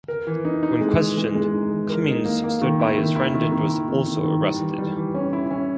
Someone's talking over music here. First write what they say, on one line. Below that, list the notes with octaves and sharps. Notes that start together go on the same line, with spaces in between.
When questioned, Cummings stood by his friend and was also arrested.
A#4
E3
D#4
D#4
G#3
E3
G#3
G#3
D#4
E3
A#4
D#4
A#3
A#3
D#3
E4
D#3
E4
D#3
D#3
E4
D#3
D#3
D#3
G3
E3
G3
E3
C#4
E4
C#4